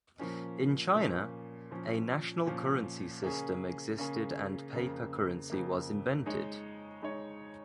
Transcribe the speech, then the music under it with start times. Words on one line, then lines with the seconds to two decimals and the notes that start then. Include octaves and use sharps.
In China, a national currency system existed and paper currency was invented.
0.19 A#2 F3 A#3 C#4
0.95 A#2 F3 A#3 C#4
1.71 A#2 F3 C#4
2.47 A#2 F3 C#4
3.23 C#3 A#3 C#4 G#4
3.98 C#3 A#3 C#4 G#4
4.74 F2 C#3 A#3
5.50 F2 C#3 A#3
6.26 G#3 D#4 C#5
7.02 G#3 D#4 C#5